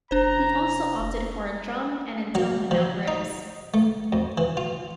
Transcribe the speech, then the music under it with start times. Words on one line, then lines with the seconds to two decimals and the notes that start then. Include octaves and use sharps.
He also opted for a drum and a dome without ribs.
0.11 F1 D4 C5 A#5
2.35 F#3
2.71 F3
3.08 D#4
3.74 A3
4.12 F2
4.38 E3
4.57 F4